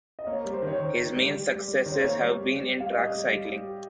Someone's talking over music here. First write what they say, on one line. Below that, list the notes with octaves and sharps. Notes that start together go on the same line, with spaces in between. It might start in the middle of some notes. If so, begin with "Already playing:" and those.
His main successes have been in track cycling.
D#5
A#3 C#5
G3 A#4
C5
D#3 C#5
D#3 C5
D#3
G3
G3
G3
G3
D#3 C#5
C5
A#3 C#5
G3
G3
G3
G3
F5
G3 D#5
G3
G3
G3
G4